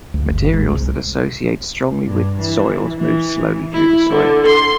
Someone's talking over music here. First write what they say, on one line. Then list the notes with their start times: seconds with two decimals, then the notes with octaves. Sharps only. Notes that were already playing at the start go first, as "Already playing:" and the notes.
Materials that associate strongly with soils move slowly through soil.
0.14 D2
0.30 G1
0.53 G#2
0.72 C2
2.05 G2
2.40 E3
2.97 E3
3.72 E4
4.10 D3
4.46 C6